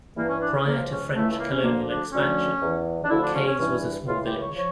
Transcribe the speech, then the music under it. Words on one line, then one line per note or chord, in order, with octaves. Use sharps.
Prior to French colonial expansion, Kayes was a small village.
G2 E3 A#3
C#4
D4
C#4
C#2 C#3 F3 A#3
C#4
C#2 C#3 E3 A3
A3
A#3
C#4
D2 D3 F3 A#3
D4
D2 D3 F3 C#4
E2 E3
D4
D2 D3 F3 E4
D4
C#4
C#4
G2 E3 C#4
C#2 C#3 E3 F4
G4
A#4
C#5
F3 C#5